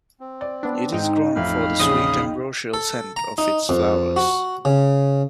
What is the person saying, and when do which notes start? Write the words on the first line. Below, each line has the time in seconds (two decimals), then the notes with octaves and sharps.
It is grown for the sweet ambrosial scent of its flowers.
0.20 C4
0.41 D5
0.63 B3 D4
0.93 G#2 D#4 G5
1.35 A1 F2 E5 F5 B5 F6
1.79 A#1 E2 C#3 D#6
2.74 A4
3.16 A#5
3.38 D#4
3.69 F2
4.16 F#4
4.65 C#3